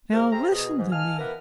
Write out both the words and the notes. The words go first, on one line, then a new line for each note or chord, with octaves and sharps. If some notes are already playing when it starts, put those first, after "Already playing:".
Now listen to me.
F2 C3 F3 G#3 A#4
C3 G4 G#4 C5 E5 A#5
B2 G#4
G#2 E3
D#5 F5 G#5 A5 F6
E3 B3 A#4 B4